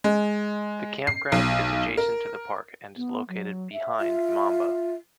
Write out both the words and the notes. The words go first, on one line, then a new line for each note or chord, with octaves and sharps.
The campground is adjacent to the park, and is located "behind" Mamba.
G#3
C7
B1
A#4
B3
F#3
E5
F4